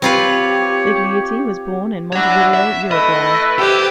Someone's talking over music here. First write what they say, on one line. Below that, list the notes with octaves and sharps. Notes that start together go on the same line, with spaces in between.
Cigliuti was born in Montevideo, Uruguay.
C4 F4 G4 B4 C#5
D4 E4 F#4 C#5 F#5
E5
A3 E4 B4 D#5
G4 A4 C5